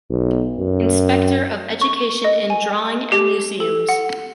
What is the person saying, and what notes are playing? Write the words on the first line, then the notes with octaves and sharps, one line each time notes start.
Inspector of education in drawing and museums.
B1
F#2
C#6
D#5
G#5
G4
A4
F#5